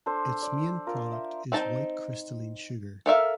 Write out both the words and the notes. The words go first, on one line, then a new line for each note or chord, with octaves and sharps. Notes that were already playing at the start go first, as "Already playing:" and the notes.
Its main product is white crystalline sugar.
D4 A4 C5
D5
F4 A#4
E5
C4 D#4 A5
A4 A#4 E5 F5